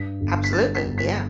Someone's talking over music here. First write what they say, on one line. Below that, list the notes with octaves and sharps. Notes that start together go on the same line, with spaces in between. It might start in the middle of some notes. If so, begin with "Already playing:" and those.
Absolutely, yeah.
Already playing: G2 B6
G1
B6
G2 A6
B6
G1
B6